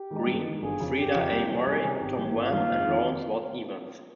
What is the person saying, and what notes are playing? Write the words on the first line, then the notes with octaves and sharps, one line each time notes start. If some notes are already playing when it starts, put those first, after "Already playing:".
Green, Frieda A. Murray, Tom Wham, and Lawrence Watt-Evans.
Already playing: G4
D#3 G#3 D#4
G2
D#3 G#3 D#4
G1 G#4
F2 C#3 F3
G1 G4
F2 C#3 F3
C2
C3 G3 C#4
C2 G#4
C3 G3 C#4
G#1 G4
G2 D#3 A#3
G#1 F4
G2 D#3 A#3
F1
F2 D#3
F1